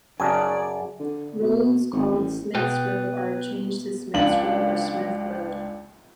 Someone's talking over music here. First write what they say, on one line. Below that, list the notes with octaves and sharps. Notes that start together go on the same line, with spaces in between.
Roads called Smith's Road are changed to Smiths Road or Smith Road.
F#2 C#3 D5 G#5 A5
D3
B2
G#1
A1
B2 B4 G5
C#2 D4 F#7